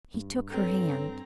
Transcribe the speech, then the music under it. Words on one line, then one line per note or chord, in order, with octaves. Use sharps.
He took her hand.
G2
C4 A4 B4 C#5 A#5